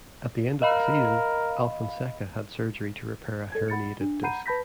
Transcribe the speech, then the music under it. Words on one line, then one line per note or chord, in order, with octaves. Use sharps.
At the end of the season, Alfonseca had surgery to repair a herniated disc.
A#4 D#5 F5 B5
A4 G#6
F#5 B5 A6 C#7
D4
F#5 A#5 B5 G6 C7 D#7
B4 A5 B5 G6 A#6 B6